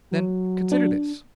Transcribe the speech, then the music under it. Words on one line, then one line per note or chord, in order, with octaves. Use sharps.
Then consider this.
F#3
D4